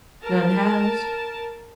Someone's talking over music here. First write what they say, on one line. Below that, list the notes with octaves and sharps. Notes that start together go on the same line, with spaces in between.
"None has."
A#4 A5